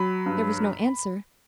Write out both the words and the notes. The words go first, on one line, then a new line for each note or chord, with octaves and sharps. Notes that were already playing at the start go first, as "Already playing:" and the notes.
There was no answer.
Already playing: F#3 B5
G2